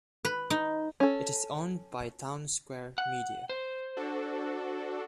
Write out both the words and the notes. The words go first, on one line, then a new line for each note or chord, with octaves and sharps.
It is owned by Townsquare Media.
B4
D#4
C#4 A4
F#5
C5
D4 F#4 A4